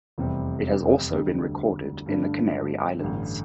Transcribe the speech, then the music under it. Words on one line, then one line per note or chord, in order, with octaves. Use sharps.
It has also been recorded in the Canary Islands.
F1 E2 C3 G3 C4
D2 D3 G3
G2 D3 A3 D4
A1 G2 D3